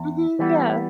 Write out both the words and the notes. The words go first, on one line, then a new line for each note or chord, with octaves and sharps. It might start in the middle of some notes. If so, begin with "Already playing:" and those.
Mhm, yeah.
Already playing: E2
E3 G3 B3